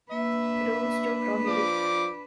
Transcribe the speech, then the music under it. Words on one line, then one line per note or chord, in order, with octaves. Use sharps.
Rules To Prohibit.
A#3 D4 B4 E5
F3 D5 D6